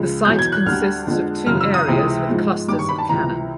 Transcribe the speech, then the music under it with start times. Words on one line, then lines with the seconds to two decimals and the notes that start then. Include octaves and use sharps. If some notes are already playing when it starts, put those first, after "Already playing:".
The site consists of two areas with clusters of cannon.
Already playing: C#2 C#3 F3 G#3
0.25 E2 B2 F#3 G6
0.39 G#6
0.52 F#6
0.66 D2 D3 G3 F6
1.07 F2 D3 F3 G#3
1.46 F#2 C#3 E3 F6
1.61 E6
1.74 D#6
1.88 C#2 C3 E3 G#3
2.28 G#2 F3 G#3
2.68 G2 D#3 G3 D6
2.79 C#6
2.89 B5
2.98 A5
3.09 C#2 C3 E3 A#5